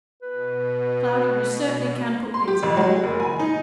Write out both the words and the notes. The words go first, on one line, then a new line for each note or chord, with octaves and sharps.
Cloudy, you certainly can put things in an awkward way.
B2 B4
C6
G4
A1
F#3
F#1
G#5
D#4